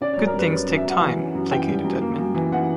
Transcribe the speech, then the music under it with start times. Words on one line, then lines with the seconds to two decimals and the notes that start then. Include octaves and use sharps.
Good things take time, placated Edmund.
0.01 C#4 D5
0.14 F#2 C#5
0.27 A#4
0.34 G3 B4
0.51 F#2 C#5
0.68 F#2
0.77 E5
0.85 F#2 F#5
1.01 E3
1.18 C#4
1.35 F#2
1.51 E3 G5
1.68 G3
1.84 F#2
2.01 A#3
2.18 F#2
2.35 E3
2.52 E3 F#5